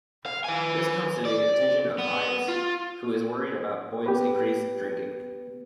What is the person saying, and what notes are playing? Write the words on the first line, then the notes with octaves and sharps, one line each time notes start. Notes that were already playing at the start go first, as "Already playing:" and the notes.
This comes to the attention of Ives, who is worried about Boyd's increased drinking.
F5
B4 G#5
D5
B3
F4
B3 G4 B4